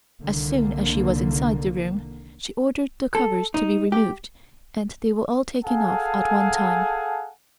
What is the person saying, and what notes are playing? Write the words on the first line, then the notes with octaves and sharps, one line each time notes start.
As soon as she was inside the room, she ordered the covers to be removed and they were all taken off at one time.
C2 D3 D#3 A#3
A4
D#4
G4
G#4 A4 F5 F#5 G#5 A5